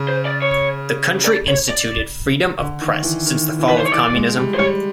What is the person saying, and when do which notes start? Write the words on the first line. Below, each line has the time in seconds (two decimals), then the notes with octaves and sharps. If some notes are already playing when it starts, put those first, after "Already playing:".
The country instituted freedom of press since the fall of communism.
Already playing: C#3
0.09 C5
0.25 D5
0.42 C#5
1.25 D5
1.48 C#5
1.69 D5
2.59 D3
2.81 D#3
3.03 E3
3.26 D#3
3.59 E3
3.69 B4
3.77 C5
3.85 C#5
3.92 E3 D5
4.15 G#3
4.37 G3
4.54 C5
4.58 G3 C#5